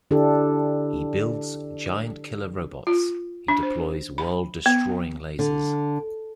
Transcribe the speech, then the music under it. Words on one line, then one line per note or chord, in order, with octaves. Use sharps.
He builds giant killer robots, he deploys world-destroying lasers.
D3 D4 E4 G4 A4
F4
D4
C5
B5
B3
D3